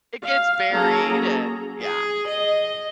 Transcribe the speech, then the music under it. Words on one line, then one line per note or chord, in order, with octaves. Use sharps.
It gets buried and yeah.
F5
F#3 A#3 C#4 G#4 A4 A#5
G#4
D#5